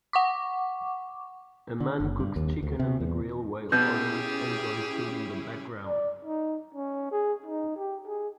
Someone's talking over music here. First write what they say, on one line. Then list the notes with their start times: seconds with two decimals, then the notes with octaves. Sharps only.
A man cooks chicken on the grill, while others enjoy food in the background.
0.13 F#5 C#6 D6
1.80 D3
2.00 F#1
2.20 G2
2.36 D#2
2.63 D2
2.79 C3
3.00 E2
3.72 B2 C#4 E4 G4 G#4 G6
5.87 D5
6.25 D#4
6.74 C#4
7.11 G#4
7.46 D#4
7.77 G4
8.07 G#4